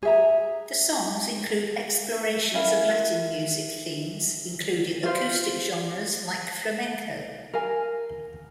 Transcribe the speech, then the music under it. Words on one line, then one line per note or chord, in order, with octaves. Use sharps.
The songs include explorations of Latin music themes, including acoustic genres like flamenco.
G#4 E5 A#5
C#4 E4 A#4 F5
F4 C5 F5
A#4 F5 G#5